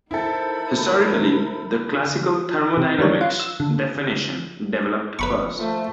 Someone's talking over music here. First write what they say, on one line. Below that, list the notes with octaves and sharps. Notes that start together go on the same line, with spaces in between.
Historically, the classical thermodynamics definition developed first.
D#4 E4 A4 A#4 C5 B5
C3
D#3 E3 G3 D4 C#5
F4 F#5
E6
D3
B4 B5 C#6
F3 A3